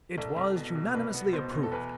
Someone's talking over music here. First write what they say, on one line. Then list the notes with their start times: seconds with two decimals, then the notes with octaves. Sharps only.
It was unanimously approved.
0.18 C2 A4
0.37 C2
0.56 B2
0.75 B2
0.94 C2 B4
1.14 B3
1.33 B2 C5
1.52 B2
1.63 A4
1.72 E2 B4